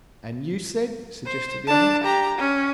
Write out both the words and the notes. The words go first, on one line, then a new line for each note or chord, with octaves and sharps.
"And you said," suggested the other.
C5
D4 A5
G4 A#5
C#4